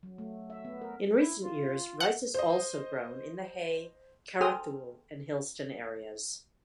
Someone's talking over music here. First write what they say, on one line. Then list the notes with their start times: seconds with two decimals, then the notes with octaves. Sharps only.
In recent years, rice is also grown in the Hay, Carrathool and Hillston areas.
0.03 F#3
0.18 A3
0.50 E5
0.65 B3
0.81 A#4
1.19 E4
1.43 F4
2.00 F#5
2.34 C5 D#5
4.41 G#4 A4 C5 G5 D#6 F6